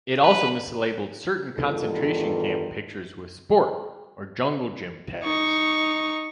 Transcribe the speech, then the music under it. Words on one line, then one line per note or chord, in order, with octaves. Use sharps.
It also mislabeled certain concentration camp pictures with "sport" or "jungle gym" tags.
B4
E2 G2 D#3 F4 A4
D#4 C#6